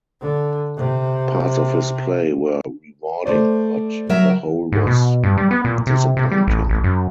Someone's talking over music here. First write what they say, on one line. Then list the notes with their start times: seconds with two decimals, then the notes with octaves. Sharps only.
Parts of his play were rewarding but the whole was disappointing.
0.21 D3
0.77 C3
3.26 A3 C5 D5
4.09 F#3 A#4 E5
4.72 G#2
4.87 B2
5.23 G2
5.38 G3
5.51 B3
5.65 A#2
5.87 C3
6.17 C3
6.32 G3
6.47 A1
6.70 A1
6.84 F#2